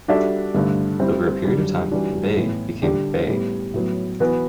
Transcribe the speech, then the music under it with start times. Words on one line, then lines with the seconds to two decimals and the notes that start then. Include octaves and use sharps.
Over a period of time, "Bae" became "Bay".
0.08 G3 D4 F#4 A4 E5
0.55 G2 D3 A3
1.00 G3 C4 E4
1.45 F#2 D3 G3
1.91 E3 G3 D4 F#4
2.37 A2 E3 B3
2.82 D3 G3 D4 G4
3.29 A2 G3 B3
3.74 A2 F#3 B3
4.20 E3 B3 F#4 B4